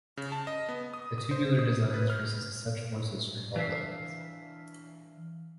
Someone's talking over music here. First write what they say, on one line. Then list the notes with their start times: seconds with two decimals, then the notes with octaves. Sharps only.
The tubular designs resist such forces for tall buildings.
0.17 C#3
0.32 A5
0.47 D#5
0.69 B3
0.93 D#6
1.18 D#6
1.31 C5
1.59 D#6
1.94 B4
2.10 F6
3.56 E3 D4 E5 F5